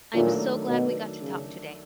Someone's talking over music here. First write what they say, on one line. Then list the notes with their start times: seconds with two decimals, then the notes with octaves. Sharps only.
I'm so glad we got to talk today.
0.14 A#2 D#3 F#3 A3 D4
0.67 B2
1.21 C#3